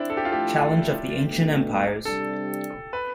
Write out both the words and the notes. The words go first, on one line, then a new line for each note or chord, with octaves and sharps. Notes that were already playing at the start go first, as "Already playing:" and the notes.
Challenge of the Ancient Empires!
Already playing: C4 D4 E4
A4
G4
F4
A2 F3 A3 E4 G4
B2 A3 D4
C3 G3 D4 A4
B4